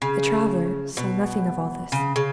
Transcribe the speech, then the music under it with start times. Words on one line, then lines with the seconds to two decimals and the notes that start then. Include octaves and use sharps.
The traveller saw nothing of all this.
0.02 C#3
0.97 B2
1.92 C#3
2.16 C#3